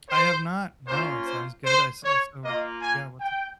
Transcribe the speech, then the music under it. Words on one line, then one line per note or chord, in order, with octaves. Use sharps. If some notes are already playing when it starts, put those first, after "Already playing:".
I have not, no, it sounds good, I say so, yeah, what's u
C5
A#3 C#4 F4 C5
C5
C5
C#5
A#3 F4 D#5
G#5
G5